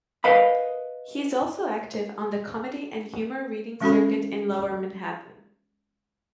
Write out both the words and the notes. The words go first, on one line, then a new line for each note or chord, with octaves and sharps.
He is also active on the comedy and humor reading circuit in lower Manhattan.
A#4 B4 D#5 F5 B5
E3 G#3 C#4 F#4 A4 B5